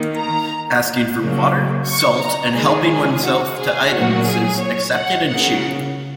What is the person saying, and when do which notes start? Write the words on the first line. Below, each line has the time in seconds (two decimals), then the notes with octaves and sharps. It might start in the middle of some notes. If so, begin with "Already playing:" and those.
Asking for water, salt and helping oneself to items is accepted and cheered.
Already playing: D#3 A#3
0.18 A#5
1.20 C#3 F#3 A#3
1.88 C#6
2.22 A#5
2.56 D#3 G#3 G#4
3.24 F#4
3.58 G#4
3.92 A#2 F#3 A#3 F#4
4.27 G#4
4.59 C#5
4.94 F#5
5.28 C#3 A#3 F#5